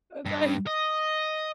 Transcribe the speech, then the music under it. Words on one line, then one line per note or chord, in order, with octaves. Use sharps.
It's like,
G2
D#5